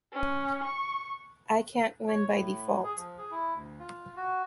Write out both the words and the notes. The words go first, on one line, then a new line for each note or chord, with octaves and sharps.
I can't win by default.
C#4
C#6
C#5
A2
G#4
F3
G#4
E4
D2
F4
F#4